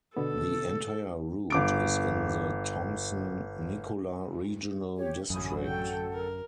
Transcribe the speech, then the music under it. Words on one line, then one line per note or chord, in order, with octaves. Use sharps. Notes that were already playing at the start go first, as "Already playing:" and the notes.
The entire route is in the Thompson-Nicola Regional District.
B2 D3 B3 A4
G1 D6 D7
G4 C#5
A1 F#2 D3 F#3 G#5 B5 D#6
A4 F#5 G5
A#4